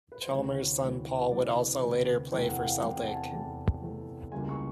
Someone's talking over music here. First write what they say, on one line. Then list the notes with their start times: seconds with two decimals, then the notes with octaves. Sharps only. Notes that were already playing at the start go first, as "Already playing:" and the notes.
Chalmers' son Paul would also later play for Celtic.
0.12 B4
0.22 C5
0.31 D2 C3 E3 C#5
0.81 D2 C3 E3
1.31 D2 C3 E3 D5
1.81 D2 C3 E3
2.32 E2 C3 E3 A3 G5
2.48 F#5
2.65 F5
2.81 E2 C3 E3 A3 G5
2.99 F#5
3.07 A5
3.15 G#5
3.32 E2 C3 E3 A3 A5
3.82 E2 C3 E3 A3
4.32 C#2 C#3 E3 G3 A#3 G#5
4.49 C#6